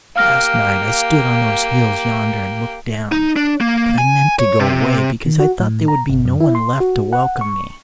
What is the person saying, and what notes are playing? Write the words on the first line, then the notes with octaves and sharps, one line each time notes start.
Last night I stood on those hills yonder and looked down, but I meant to go away because I thought there would be no one left to welcome me.
A#3 G4 F5 F6 A#6
D#4
D4
A#3
G#5
C#5
C3
D#3
F#4
A2
A#5
G1
F#2
E4
C6
F#4
F#5
C#6